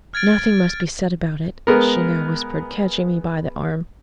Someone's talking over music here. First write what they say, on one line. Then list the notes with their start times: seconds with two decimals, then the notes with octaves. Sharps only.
"Nothing must be said about it," she now whispered, catching me by the arm.
0.14 F6 G#6 A6 D7
1.67 G#3 B3 A#4